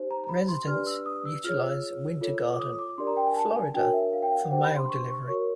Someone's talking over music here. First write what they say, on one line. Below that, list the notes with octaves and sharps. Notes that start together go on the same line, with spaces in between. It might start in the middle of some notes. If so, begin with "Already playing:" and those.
Residents utilize Winter Garden, Florida for mail delivery.
Already playing: D#4 G4 C5
A#5
A#5
B5
C6
D4 G4 B4 D5 F6
E6
D#6
E6
F4 G#4 C#5 F6
E6
F4 A4 C#5
D6
D#6
D6
D4 G4 A#4 D5 C6
A#5
G5
G#5
A5
G#5
D4 F#4 A#4 C#5 G5
E5
F5
G5
F5
F#5
D4 G4 C5 G5
B5
C6
C#6
C#6
F#4 A#4 C#5 C#6